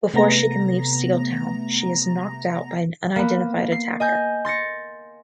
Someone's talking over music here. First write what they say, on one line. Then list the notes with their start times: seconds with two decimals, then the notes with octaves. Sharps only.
Before she can leave Steeltown, she is knocked out by an unidentified attacker.
0.14 C3 A3 B3 A#5 A#6
3.16 A#3 B3
3.72 C7
4.00 D#5 G#5 G6
4.45 C6 A6 A#6 C#7